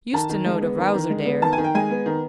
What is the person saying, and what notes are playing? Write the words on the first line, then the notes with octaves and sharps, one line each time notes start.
Used to know de Wowzer dere.
D#3 A5
D#3
G#3
B3
D#3
D#3
G#3
B3
D#3 A5
G#5
D#3
G5
G#3 G#5
B3
D#3